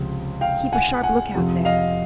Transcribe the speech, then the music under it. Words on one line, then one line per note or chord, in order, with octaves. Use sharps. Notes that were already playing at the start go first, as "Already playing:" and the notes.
Keep a sharp lookout there.
Already playing: C#2 C3 F3
F5 G5
F#5 G#5
F#5 G#5
F2 C3 F3
D#5 F5